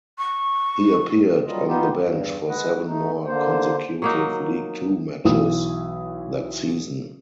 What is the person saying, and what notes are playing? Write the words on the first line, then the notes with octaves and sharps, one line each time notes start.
He appeared on the bench for seven more consecutive League Two matches that season.
C#6
F#3 G3 F4 D#5
B3 D#4 F4 G4
E2 G2
G#3 B4 D#5 F#5
A3 D#4
D3 A#3 C5
F#3 A#3 D#4
B1 E3 E4 D#6